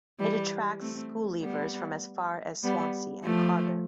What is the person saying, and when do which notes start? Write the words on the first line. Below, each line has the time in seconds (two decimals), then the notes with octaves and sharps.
It attracts school-leavers from as far as Swansea and Cardiff.
0.19 E3 G3
0.80 A3 C4
1.41 G3 B3
2.63 G3 B3
3.24 F3 A3